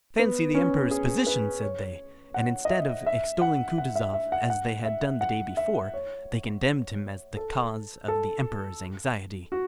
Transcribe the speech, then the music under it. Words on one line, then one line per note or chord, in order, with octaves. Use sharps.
"Fancy the Emperor's position!" said they, and instead of extolling Kutuzov as they had done the day before, they condemned him as the cause of the Emperor's anxiety.
B3
C#4
G#4
B4
C#5
F#5
D#5
E5
E5
F#5
F#5
E5
E5
F#5
F#5
E5
F#5
E5
C#5
A4
A4
F#4